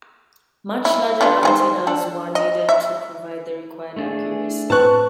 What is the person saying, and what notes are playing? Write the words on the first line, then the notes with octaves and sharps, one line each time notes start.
Much larger antennas were needed to provide the required accuracy.
E4
B3 D4 F4
D#3 G#4 C5
D4 A4
D#5
E5
A3 D4 G#4
A2 C4 B4 A5 C#6 F#6